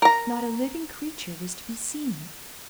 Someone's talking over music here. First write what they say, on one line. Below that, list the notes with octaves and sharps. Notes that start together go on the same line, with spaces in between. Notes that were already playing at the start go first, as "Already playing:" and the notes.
Not a living creature was to be seen.
A#4 A#5